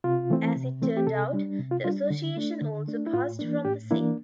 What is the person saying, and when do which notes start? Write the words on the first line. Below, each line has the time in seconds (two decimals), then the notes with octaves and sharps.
As it turned out, the Association also passed from the scene.
0.04 C3 F4
0.30 E3 A3 C4
0.56 C3
0.81 E3 A3 C4
0.97 G4
1.07 C3 A4
1.33 G3 D4
1.59 C3
1.71 F4
1.84 G3 D4 F4
2.10 D3
2.36 A3 D4
2.62 D3
2.88 A3 D4
3.07 E4
3.13 A2 F4
3.39 E3 A#3 D4
3.65 A2 G4
3.91 E3 A#3 D4 E4